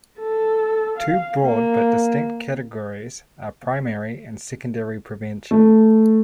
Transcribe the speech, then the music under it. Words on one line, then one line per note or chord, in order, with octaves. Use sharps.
Two broad but distinct categories are primary and secondary prevention.
A4
F5
A#3
A3